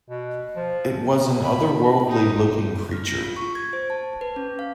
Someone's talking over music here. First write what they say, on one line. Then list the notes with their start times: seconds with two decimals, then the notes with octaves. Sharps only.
It was an otherworldly looking creature.
0.10 B2
0.56 F3
1.42 B5
2.08 D#4
2.93 F6
3.07 A#6
3.19 F4
3.37 C#6
3.55 G#6
3.73 C5
3.90 A5
4.21 B4
4.36 C#4
4.59 F5